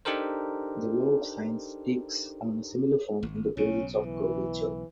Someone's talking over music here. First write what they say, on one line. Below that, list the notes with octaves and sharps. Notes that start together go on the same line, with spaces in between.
The law of sines takes on a similar form in the presence of curvature.
D4 D#4 G4 A4 A#4 C5
G#1
B1 C#3 C#4
E3